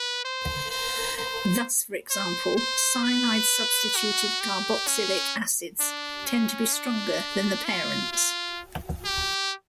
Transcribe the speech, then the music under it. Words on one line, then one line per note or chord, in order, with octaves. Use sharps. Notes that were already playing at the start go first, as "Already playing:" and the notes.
Thus, for example, cyanide-substituted carboxylic acids tend to be stronger than the parents.
Already playing: B4
C5
C5
C5
C5
C5
B4
F#4
G4
C#4
D4
C#4
D4
F4
F4
G4